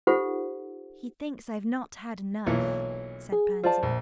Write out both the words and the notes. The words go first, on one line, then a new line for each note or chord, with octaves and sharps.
"He thinks I've not had enough," said Pansy.
D#4 F4 G4 A4 C5 F#5
B1 A#2 E3 C#5
G#4
F4 C5 D5 A5
A#1